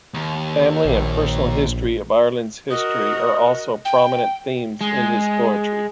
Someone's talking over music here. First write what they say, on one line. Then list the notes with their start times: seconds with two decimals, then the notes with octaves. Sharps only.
Family and personal history and Ireland's history are also prominent themes in his poetry.
0.14 D#2
0.85 A#1
2.71 F#4 A#4 D#5 D#6
3.85 G5
4.81 G#3